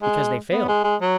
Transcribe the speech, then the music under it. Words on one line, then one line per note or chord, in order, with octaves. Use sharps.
"Because they failed."
G#3
B3
G#3
G#3
F#3